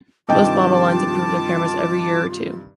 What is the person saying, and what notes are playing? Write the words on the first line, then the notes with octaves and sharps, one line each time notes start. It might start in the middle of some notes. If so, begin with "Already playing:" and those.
Most model lines improve their cameras every year or two.
G2 C3 D#3 F4 D#5 G5 A5 D6